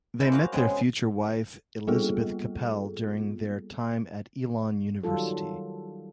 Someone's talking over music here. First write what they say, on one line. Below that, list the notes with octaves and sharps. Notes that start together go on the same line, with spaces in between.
They met their future wife Elizabeth Capel during their time at Elon University.
G#3 E4 C5
A#3 F#4 F5
C#3 G#3 B3 C4 G#4
G3 A#3 B3 F4 G#4 A4
D#3 F#3 G3 F4 A4